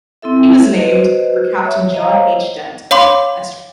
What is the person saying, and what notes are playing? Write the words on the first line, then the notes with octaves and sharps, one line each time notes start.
She was named for Captain John H. Dent.
C4 E4 A4 E5
F#4 B4 C5 D#5
C#5 E5
C5 C#5 D#5 F5 A#5
C#5 F5 B5 C6 D6